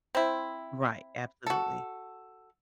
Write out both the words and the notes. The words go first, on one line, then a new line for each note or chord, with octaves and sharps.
Right. Absolutely.
C4 E4
F#4 A4